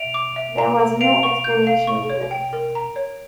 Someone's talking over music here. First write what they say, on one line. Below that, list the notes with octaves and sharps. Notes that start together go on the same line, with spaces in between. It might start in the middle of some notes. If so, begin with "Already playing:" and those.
There was no explanation given.
Already playing: E5 D7 F7
D6
E5
A#5
A4
F5 D7 F7
C#6
G6
F5
C#6
C#5
G5
A#4
A#5
C#5